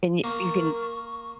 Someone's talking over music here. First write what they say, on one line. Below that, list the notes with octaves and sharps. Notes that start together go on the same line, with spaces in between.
and you you can
A#3 A#4 C#6